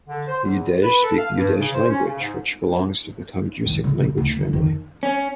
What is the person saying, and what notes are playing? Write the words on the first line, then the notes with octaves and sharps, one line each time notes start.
The Udege speak the Udege language, which belongs to the Tungusic language family.
D3
C5
E2
B4
A4
F5
G2
C#3
C5
C#4
C#3
G#2
A2 D#3
C#3
C#3
D1
D3 F3
F2 D#3
C#4